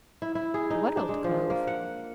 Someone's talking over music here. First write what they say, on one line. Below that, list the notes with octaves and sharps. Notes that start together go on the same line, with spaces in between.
"What old cove?"
E4
E4
G#4
D#4
D4
G#3
F3
A#3
F#5